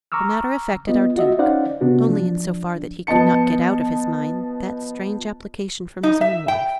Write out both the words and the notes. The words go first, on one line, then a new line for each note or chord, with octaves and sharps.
The matter affected our Duke,--only in so far that he could not get out of his mind that strange application from his own wife.
A#5 C#6 D6 E6 F6
B3 F4 D#5
F4 F#4 D#5 E5
C#4 D#4 C5 D5 F5 F#5
C3 B3 D4 F#4
F3 D4
F3 B3 D#5 A5 C#7
D#4
E5
G5